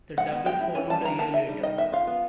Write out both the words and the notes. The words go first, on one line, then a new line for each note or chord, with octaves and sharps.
The double followed a year later.
G#3 F#5
B3
G#3 G5
E4
C#4 G#5
G3 A5
D#3 A#5
A#3 A5
D#4 E5
G3
D#3 D#5
B3 E5
F4 F5
B3